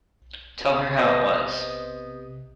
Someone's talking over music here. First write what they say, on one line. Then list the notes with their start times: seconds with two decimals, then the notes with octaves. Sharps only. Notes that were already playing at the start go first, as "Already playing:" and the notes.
Tell her how it was.
0.98 C3 B3 C5 D#5